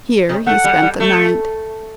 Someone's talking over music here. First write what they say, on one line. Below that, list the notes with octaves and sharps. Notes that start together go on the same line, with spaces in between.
Here he spent the night.
C3
A3 F#5
G3
G3
A3